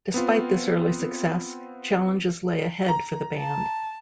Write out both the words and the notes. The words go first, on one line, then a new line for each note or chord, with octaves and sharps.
Despite this early success, challenges lay ahead for the band.
B3 C4 F4
A#5
A5